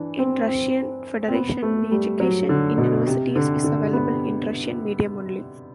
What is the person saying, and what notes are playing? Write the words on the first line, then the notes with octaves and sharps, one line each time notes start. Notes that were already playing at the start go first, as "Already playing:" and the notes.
In Russian Federation the education in universities is available in Russian medium only.
Already playing: E3 D4
C4
C4
C4
B3
A3
G3
F#3
D3
B2
C3
D3
D3
B3